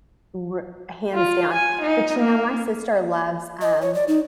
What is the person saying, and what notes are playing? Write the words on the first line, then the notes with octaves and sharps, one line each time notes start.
r hands down but, you know, my sister loves, um,
F4
G#5
D#4
A#3
D#5
C#5
D5
D#4